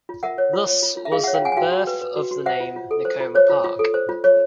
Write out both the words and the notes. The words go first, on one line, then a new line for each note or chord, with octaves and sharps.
Thus was the birth of the name Nicoma Park.
F4
A#4 E5 F#5
C#5
F4
C#5
F4
F4
E5
G#4 D#5 F5
E5 F#5
C#5
F5 G5
F4 F#5 G#5
G#5
F#4 F5 G5
F#4
B4
B4
F#4
F#4
C5 E5 F#5
F4
F4
A4
C5
F4
C5 C#5
F4
F4
A4
C5
F4
C#5